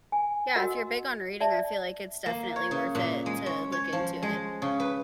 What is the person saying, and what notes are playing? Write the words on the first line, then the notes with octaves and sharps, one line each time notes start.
Yeah, if you're big on reading, I feel, like, it's definitely worth it to look into it.
G#5
F#4 A#4 D#5 F#5 E6
D5 E5 A5
A#3
C#5
C#3
A#2
G#3
C#4
C#5
F3
G#3
C#3
B4